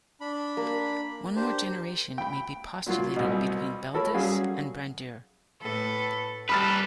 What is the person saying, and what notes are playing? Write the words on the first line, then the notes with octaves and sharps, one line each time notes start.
One more generation may be postulated between Beldis and Brandir.
D4 B5
A#3
D4 G4 C5
G5 B5
A#2 F#3 F4
C2 B2
A4 A#4 C#5 B5
F#3 G3 C#4 G#4 F5
A2 A4 B4
G3 A4 B4 B5 F6 A6